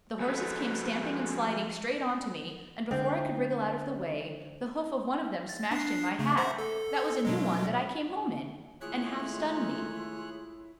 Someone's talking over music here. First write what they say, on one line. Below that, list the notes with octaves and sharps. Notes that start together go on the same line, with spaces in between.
The horses came stamping and sliding straight on to me, and, before I could wriggle out of the way, the hoof of one of them smashed in my hat--that was a new one that I came home in--and half-stunned me.
F3 G#3 F#4 A4 B4
D3 G#3 C4
A6
D4 C7
C#3 A3
C5 E5 F#5
A4
B2 F#3 G#3
D#3 G#3 A3 E4 F4 G#4 C#5 F#6